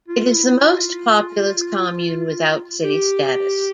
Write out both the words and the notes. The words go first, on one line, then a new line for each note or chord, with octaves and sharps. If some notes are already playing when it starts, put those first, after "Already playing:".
It is the most-populous commune without city status.
F4
E4
F4
G4